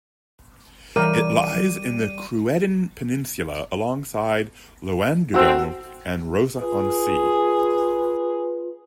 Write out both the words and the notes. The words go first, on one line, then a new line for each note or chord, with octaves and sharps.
It lies in the Creuddyn Peninsula alongside Llandudno and Rhos-on-Sea.
E3 G3 A#4 D#7
A3 C4 F#4 E6
F4 G#4 B4